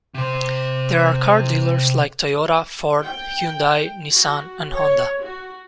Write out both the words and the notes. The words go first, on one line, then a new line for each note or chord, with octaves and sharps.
There are car dealers like Toyota, Ford, Hyundai, Nissan, and Honda.
C3 C5
G5
F#4
C#5
F#4